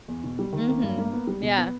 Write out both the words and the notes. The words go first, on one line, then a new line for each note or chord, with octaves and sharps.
Mhm, yeah.
E2
B2
G3
D#3
A#3
G2
A#3
B3
G3
B2
B3